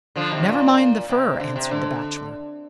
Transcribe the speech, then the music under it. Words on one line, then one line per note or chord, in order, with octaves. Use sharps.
"Never mind the fur," answered the Bachelor.
D3 F3
C3 D#3
A#2
C3
D3
C3
D3